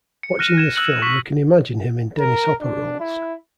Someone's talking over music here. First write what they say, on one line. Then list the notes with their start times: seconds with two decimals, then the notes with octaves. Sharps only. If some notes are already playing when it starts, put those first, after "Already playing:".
Watching this film, you can imagine him in Dennis Hopper roles.
0.23 C#7
0.39 F6 F#6 A#6 D#7 E7
0.58 G#6 E7
0.76 E6 F#6 C#7 F#7
1.02 C#6 B6 E7
2.19 A#4
2.61 D4
3.00 E4